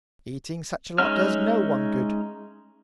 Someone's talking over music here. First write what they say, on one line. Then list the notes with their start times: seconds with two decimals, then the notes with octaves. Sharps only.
Eating such a lot does no one good.
0.98 G#3 C#4 D#4 E5 F6